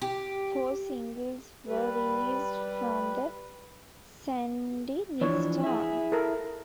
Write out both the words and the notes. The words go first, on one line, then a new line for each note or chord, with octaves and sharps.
Four singles were released from the Sandinista!
G4
G3 B4
E3 F3 D4 C#5
E4 G#4
A4 A#4